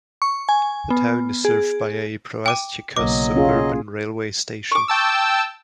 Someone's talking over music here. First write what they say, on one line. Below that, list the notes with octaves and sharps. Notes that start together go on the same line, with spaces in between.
The town is served by a Proastiakos suburban railway station.
C#6
G#5
B3
G#4
G5 D6 D#7
B1 C#3 F#3 A#3 D#5 D6
C#4 F4 G#4
C#6 D6
G5 A5 E6